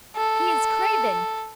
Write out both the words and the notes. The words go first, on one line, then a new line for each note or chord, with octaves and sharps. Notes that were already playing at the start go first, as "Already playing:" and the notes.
He is craven!
A4